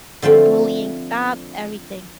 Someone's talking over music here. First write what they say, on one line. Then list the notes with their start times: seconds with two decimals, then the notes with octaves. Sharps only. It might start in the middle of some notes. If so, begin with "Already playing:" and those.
The bullying stopped, everything.
0.22 D3 F3 A3 C4